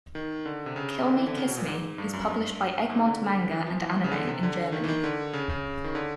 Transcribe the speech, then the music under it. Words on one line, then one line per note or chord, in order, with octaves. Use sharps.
"Kill Me, Kiss Me" is published by Egmont Manga and Anime in Germany.
D#3
D3
C3
C#3
D3
E3
D3
C#3
B2
A#2
G#2
G2
F#2
G2
G#2
D3
E3
F3
E3
C#3
D3
C3
D3
D#3
E3
D#3
D3
C#3
C#3
D#3
D3